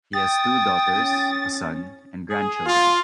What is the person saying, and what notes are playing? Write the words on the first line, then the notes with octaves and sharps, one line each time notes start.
He has two daughters, a son, and grandchildren.
G5 D#6 A6
C#4
G#4
F4